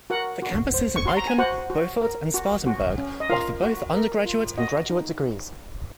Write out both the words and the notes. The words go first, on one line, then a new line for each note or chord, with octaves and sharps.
The campuses in Aiken, Beaufort and Spartanburg offer both undergraduate and graduate degrees.
F#4 A#4 F#5
F#4
C5
C#6
F#4 C6
A#5
G#5
F#4 C5 F#5
F#4
A#4
F#4
F#4
C#4
D#5
F4 A#4 F5
F#4
A#4
F4
F#4 D#5
D#4